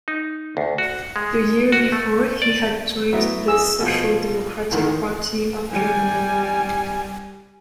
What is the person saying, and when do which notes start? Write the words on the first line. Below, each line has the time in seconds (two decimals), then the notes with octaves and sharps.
The year before, he had joined the Social Democratic Party of Germany.
0.08 D#4
0.57 D2
0.78 F#4
1.16 G#3
1.72 F#4
1.92 A3
2.42 D5
3.13 F#3 B3 E4
3.48 G#4 E6
3.80 B2 F3
4.71 E2 G#2 D#3
5.72 G3 G#5